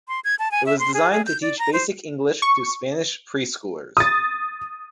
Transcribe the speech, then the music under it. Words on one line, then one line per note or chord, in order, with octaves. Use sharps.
It was designed to teach basic English to Spanish preschoolers.
C6
G#6
A5
G#5
E5
C6
G#4
G#4
G6
D5
A#5
C5
C#6
D#6 A6